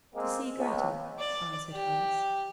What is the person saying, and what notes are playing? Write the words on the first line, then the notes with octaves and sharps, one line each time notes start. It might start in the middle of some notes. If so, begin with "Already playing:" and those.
'To see Grettel,' answered Hans.
G#3 A#3 C4
C#2
D5
G4